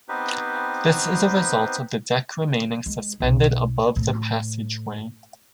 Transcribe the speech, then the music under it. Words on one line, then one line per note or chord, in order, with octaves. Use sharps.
This is a result of the deck remaining suspended above the passageway.
B3 C4 D#4 G4 B4 C5
G#3
B1
A2